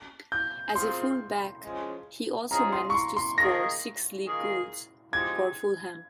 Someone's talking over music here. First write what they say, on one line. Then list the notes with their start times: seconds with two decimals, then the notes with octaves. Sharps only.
As a full back he also managed to score six League goals for Fulham.
0.32 G6
0.75 A#2 F3 C4 F4 G#4 C6
1.63 F3 G#3 C#4 G#4
2.51 F3 G#3 C#4 G#4 A#5
2.72 C6
2.90 C#6
2.95 C6
3.17 C6
3.38 D#3 A#3 F4 G#4 A#6
4.26 D#3 A#3 F4 G#4
5.13 F3 G#3 D#4 G4 G#6